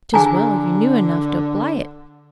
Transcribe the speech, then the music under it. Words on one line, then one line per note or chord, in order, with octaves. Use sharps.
'Tis well you knew enough to apply it.
D3 G#4 G#5 A#5